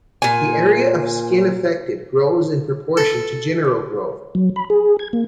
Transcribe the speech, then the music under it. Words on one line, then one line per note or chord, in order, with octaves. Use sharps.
The area of skin affected grows in proportion to general growth.
A#2 G#5
A4
F#3
B5
G#4
G#6
A#3